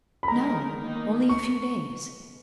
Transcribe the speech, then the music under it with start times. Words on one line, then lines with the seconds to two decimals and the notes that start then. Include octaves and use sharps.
"No; only a few days."
0.23 B5
0.28 D#3 G#3 B3 D#4 A#4 A#5
0.79 D#3 A#3 D#4
1.29 C#6